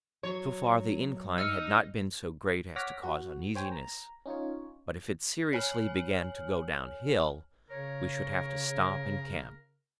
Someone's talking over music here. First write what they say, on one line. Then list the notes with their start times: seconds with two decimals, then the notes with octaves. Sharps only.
So far the incline had not been so great as to cause uneasiness, but if it seriously began to go downhill, we should have to stop and camp.
0.23 F#3 C#5
1.38 D#4 E6 F6 C#7
2.76 C#5 F#5 D6 F6 A#6 B6
3.03 F#4
3.55 C5 C#5 G5 G#5
3.72 A#5
4.26 C#4 D#4 F4 C#5
5.53 C#5 G#5 F6 F#7
7.70 C#3 A#4 C#5